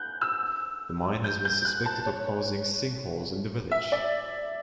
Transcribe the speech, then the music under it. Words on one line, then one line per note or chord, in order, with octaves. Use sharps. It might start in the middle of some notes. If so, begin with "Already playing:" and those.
The mine has been suspected of causing sinkholes in the village.
Already playing: F#6 G6
E6
G6
G6
F#6
A5
C#5
C#5
E5
D5